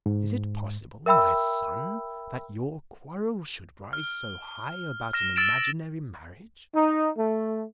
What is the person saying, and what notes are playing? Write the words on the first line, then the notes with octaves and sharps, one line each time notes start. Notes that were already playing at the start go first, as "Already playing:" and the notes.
Is it possible, my son, that your quarrel should rise so high about an imaginary marriage?
G#2
A#4 E5 G5 B5 E6
F6
F6 A#6 E7
E6 A6 D7 E7
D#4
A3